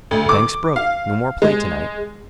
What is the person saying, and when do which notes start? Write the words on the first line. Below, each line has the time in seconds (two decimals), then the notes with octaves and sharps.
The bank's broke; no more play to-night.
0.11 D2
0.29 D6
0.76 F5
1.42 G#3